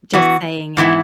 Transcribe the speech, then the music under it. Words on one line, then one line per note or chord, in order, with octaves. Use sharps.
just saying it
E3 B3 F#4
G#2 E3 G#3 B3 E4